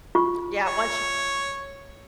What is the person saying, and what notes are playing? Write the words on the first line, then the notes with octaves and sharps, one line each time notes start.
yeah, once you
F4 C#6
C#5